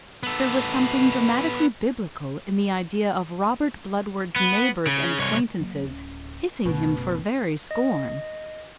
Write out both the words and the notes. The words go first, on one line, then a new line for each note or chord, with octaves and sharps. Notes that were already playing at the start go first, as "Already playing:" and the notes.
There was something dramatically biblical in the idea of Robert Bludward's neighbours and acquaintances hissing him for very scorn.
B3 A4
B3
C#3
C2 C#5
F#3 A#3
D1 C#4
F#1 B2 A3 C#4
D#5